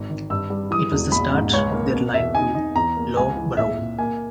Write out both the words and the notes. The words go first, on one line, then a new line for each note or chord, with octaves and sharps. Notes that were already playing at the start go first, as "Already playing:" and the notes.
It was the start of their line to Loughborough.
Already playing: G#1
D#3
G2 E6
G3
E3 D#6
E1
A#1 B5
G#2
C#2 C#5
A#3
B2
E2 E5
D#4 G#5
D#4
E2 A#5
A#3
C#2 G#5
E3
A#2 E5
A#2
A#3 G#5